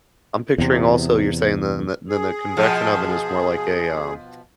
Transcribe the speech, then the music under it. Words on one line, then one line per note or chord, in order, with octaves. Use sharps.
I'm picturing also, you're saying the nu nu nuc convection oven is more like a, um,
E2 C3
G#4
B2 F3